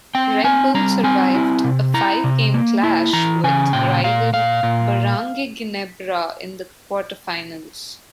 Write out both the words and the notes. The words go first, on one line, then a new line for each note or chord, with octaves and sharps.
Red Bull survived a five-game clash with rival Barangay Ginebra in the quarterfinals.
C4 G5
C4 G#5
G3 A#5
C4 G#5
E4
C3
E4 A#5
C3
A#3
E4
E3 A#5
C#3 G#5
A#2 G5
A#2 F5
A#2 F5
A#2